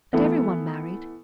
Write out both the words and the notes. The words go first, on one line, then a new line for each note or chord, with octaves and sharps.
But every one married.
E3 A3 B3